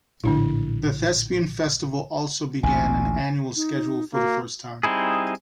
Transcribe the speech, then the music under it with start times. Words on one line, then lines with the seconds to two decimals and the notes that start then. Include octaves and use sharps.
The Thespian Festival also began an annual schedule for the first time.
0.24 A#1 A2 D3 D4 E4
2.63 A1 D2 A#2 G#5
3.56 D#4
4.14 A#3 F#4
4.83 G3 C4 D#4 E4 G#4